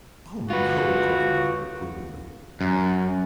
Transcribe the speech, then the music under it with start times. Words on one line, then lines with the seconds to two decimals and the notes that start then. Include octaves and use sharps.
"Oh, no," cried Dot reprovingly.
0.50 F4 F#4 B4
2.61 F#2